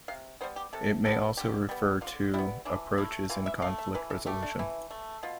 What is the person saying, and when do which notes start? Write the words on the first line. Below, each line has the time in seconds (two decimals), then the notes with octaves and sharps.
It may also refer to approaches in conflict resolution.
0.08 C3 F5
0.41 G3 B3 C5
0.56 G4
0.73 C3 A4
1.05 G3 B3 A4
1.37 D3 G4
1.69 G3 B3
2.01 D3 F4
2.34 G3 B3 E4
2.65 E3 D4
2.98 A3 E4
3.30 E3 F4
3.46 E5
3.62 A3 F5
3.78 E5
3.95 E3 B4
4.10 A4
4.26 A3 G4
4.43 D4
4.59 E3 E4
4.91 A3
5.23 B2 F4